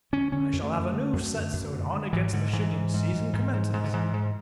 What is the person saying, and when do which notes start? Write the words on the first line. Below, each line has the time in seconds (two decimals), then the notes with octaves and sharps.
I shall have a new set sewed on against the shooting season commences.
0.13 D3 C#4
0.32 D3 C#4
0.53 F#2
0.62 A3
0.73 D3
0.93 D3
1.13 F#2
1.33 D3
1.53 F#2
1.73 D3
1.93 D3
2.13 G#2 E3
2.33 G#2 D3
2.53 G#2 E3
2.73 G#2
2.93 G#2
3.13 G#2
3.33 G#2
3.53 G#2
3.73 G#2
3.84 D3
3.93 G#2 E3
4.13 G#2